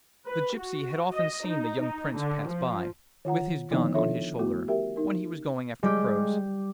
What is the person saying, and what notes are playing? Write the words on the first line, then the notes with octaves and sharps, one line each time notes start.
The gypsy had often seen the young Prince pass by, with his gun on his shoulder, when he was going after crows.
B4
F#4
D#5
D#4
D#4
D3
F3
D#3 F4 F#5 A#5
D3 D#3 F3 B3 D#4 E4
F3 D4 F4 A4 C#5 E5
A3 B3 E4 F#4
G4 A#4 E5 G5
D#4 A#4
G3 G#3 G4